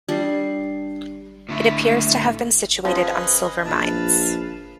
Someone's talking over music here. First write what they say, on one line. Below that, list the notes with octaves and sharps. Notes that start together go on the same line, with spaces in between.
It appears to have been situated on silver mines.
G3 D4 C7
A2 D3 E4
F3 C#4 G#4 B4 D#5
A#1 B4 F5 A5